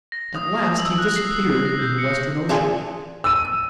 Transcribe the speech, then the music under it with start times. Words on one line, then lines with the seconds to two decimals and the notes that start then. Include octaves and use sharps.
At last he disappeared in the western ocean.
0.12 A#6
0.35 D#6
0.78 E6
0.98 F#6
1.16 C7
1.65 A#6
1.79 G6
1.98 C#7
2.50 D4 F4 G#4
3.24 E6 D#7